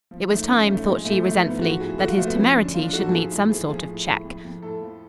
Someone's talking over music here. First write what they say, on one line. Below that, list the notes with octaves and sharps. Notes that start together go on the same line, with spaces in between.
It was time, thought she resentfully, that his temerity should meet some sort of check.
F3
G#2 A3
F3 C#4
G#2 A3
F3 G#3
A2 A3
F3 A3
G#2 B3
F3 F#4
A2 G#4
F3 F#4
F4
F3 A3
B3
F2 C#4
D3 D4
F3 F4
D4
G#2 F#4
A4
F3 G#4
A2
F3 G#4
F3 G#4
A2
A2
F2
F2
A2 A4
F3